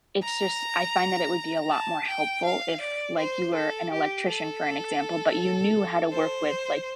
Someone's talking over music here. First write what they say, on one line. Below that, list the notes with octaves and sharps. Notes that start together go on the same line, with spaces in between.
it's just I find that it would be a lot more helpful if, like, you were an electrician for an example, but you knew how to work with, like,
A#5
A5
G5
F5
D5
C5
A4
G4
A4
C5